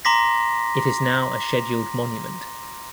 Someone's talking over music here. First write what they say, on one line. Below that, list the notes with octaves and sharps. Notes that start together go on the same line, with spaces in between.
It is now a Scheduled Monument.
A#5 C6 D6 A#6 B6